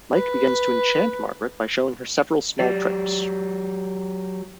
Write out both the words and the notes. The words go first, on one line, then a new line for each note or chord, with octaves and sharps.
Mike begins to enchant Margaret by showing her several small tricks.
B4
F#3 G4 D5